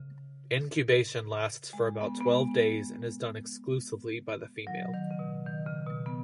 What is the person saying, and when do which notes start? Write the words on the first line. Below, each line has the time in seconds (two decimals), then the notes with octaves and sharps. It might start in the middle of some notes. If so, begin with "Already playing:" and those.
Incubation lasts for about twelve days and is done exclusively by the female.
Already playing: C#3
1.73 G#3
2.01 B3
2.21 B3
2.26 G#3
4.67 F#3
4.94 D#3
5.11 C#3
5.19 B2
5.46 D#3
5.67 C#3
5.87 B2
6.06 B3